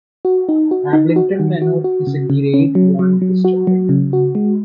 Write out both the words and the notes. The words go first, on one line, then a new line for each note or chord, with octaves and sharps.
Ablington Manor is a Grade One listed building.
F#4
D#4
F#4
D#4
F#4
D#3
F#4
F#4
C#3
C#3
C#4
F#3
F#3
F#3
F#4
F#3
C#3
F#4
G#3